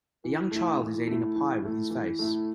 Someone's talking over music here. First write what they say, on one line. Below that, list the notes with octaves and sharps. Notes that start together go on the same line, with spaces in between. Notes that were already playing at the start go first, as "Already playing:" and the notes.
A young child is eating a pie with his face.
E3
A3 E4
E3
A3 E4
E3
A3 E4
E3
A3 E4